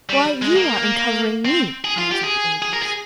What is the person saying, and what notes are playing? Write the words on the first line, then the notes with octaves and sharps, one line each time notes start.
"Why you are uncovering me!" answered the ogress.
G3
G#3
A#3
C4
G#4
F4
G4
G#4
G#4
A#4
G#4